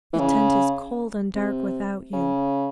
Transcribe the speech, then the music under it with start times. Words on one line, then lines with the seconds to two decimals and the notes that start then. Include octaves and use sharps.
The tent is cold and dark without you....
0.13 E3
0.19 C#3
1.35 C3
2.13 C#3